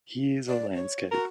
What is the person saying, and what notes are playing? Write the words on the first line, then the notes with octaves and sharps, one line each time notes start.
Here's a landscape!
D5
C#5
F#4 A#4